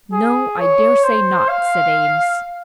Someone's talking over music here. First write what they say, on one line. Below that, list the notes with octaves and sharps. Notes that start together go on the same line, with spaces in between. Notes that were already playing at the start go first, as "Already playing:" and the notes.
"No; I dare say not," said Eames.
G#4
C#5
C5
F5